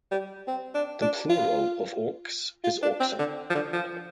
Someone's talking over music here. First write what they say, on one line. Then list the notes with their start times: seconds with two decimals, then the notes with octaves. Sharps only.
The plural of ox is oxen.
0.11 G3
0.47 C4
0.75 D4
1.02 D4
1.29 F4
2.64 F4
2.82 D4
3.00 C4
3.19 D3
3.50 F3
3.55 D3
3.73 F3